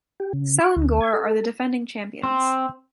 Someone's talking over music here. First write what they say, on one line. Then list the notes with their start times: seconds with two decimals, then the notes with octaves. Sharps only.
Selangor are the defending champions.
0.20 G4
0.33 C#3
0.61 D6
0.76 D2
1.01 G#6
1.13 A4
2.23 C4